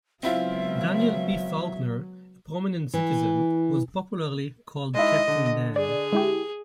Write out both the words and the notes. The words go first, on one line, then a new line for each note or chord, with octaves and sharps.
Daniel P. Faulkner, a prominent citizen, was popularly called Captain Dan.
C#3 F#3 G#3 B3 C4 E4 F4 E5
E3
G#3 D#4 E4 D#5
D3
G#4 D5
G#3 E4 G4